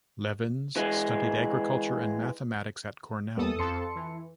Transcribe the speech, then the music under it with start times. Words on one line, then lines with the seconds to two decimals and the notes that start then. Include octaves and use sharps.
Levins studied agriculture and mathematics at Cornell.
0.77 E3 G#3
3.37 E2 G3 A#3 B3 A4 D#6
3.59 F2 A4 A5 C6 C#7
3.95 E3